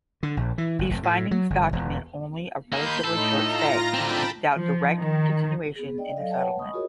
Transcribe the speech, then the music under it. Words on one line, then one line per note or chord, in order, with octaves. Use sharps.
These findings document only a relatively short stay, without direct continuation in the settlement.
D3
A#1
E3
G1
F1
A2
F#3
G1
E1
A#3 D#4 B5 C6 G6
A2 D#4 A4
F4 A#5 A#6
D3 C4 G5 A5 B5
F3
D#3
B3 G#4
D4 D5 D#5 G5
F#3 A4 D5 D#5 F5
B4 C#5 E5 F#5 G5 A5
D#5 G#5 B5 C#6 D#6
F4 F#4 G#4 A#4 C#5 D#5